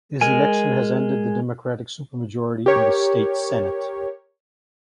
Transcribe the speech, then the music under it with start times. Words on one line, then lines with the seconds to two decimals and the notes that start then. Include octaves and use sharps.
His election has ended the Democratic supermajority in the State Senate.
0.21 G#3 A#4 G#5
2.66 G4 A#4 C#5